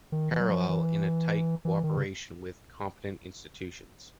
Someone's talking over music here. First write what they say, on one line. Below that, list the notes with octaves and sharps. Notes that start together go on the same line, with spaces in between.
Parallel in a tight cooperation with the competent institutions.
D#3
E3
F#3
F3
E3
E3
D#3
C#3